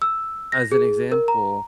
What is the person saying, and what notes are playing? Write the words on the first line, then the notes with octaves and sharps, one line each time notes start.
as an example
E6
A#6
G#4
A#4
A#5